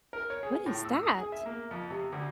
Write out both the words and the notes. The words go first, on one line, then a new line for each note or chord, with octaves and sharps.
What is that?
A#4
C#5
G#4
A2
E6
D#6
G#4
E5
A#3
F2
C3
D2